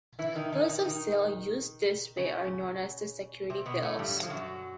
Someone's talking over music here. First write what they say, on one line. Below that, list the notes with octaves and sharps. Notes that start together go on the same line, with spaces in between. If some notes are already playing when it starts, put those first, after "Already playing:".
Bills of sale used in this way are known as "security bills".
E3 E4
D#3 D#4
D#3 D#4
D#3 D#4
D#3 D#4
C#3 C#4
C3 C4
B2 B3
A2 A3
G2 G3
F#3
F3
F#2 F#3